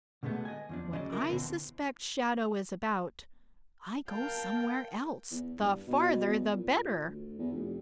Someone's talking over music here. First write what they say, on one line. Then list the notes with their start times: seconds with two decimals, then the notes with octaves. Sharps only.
When I suspect Shadow is about, I go somewhere else, the farther the better.
0.23 B2 D3 G#3 A3 B3
0.45 D#5 G#5
0.69 E2 F3 D4
0.93 D2 C#3 F#3 D4 D#5
1.12 D4 E4 F4 A#4
1.28 D2 B2 D3 E3 C4
4.08 A#4 F5 G5 A5
5.31 E2
5.59 G2
5.88 B2
6.27 E2
6.55 A#2
7.07 D2
7.39 E2
7.53 F1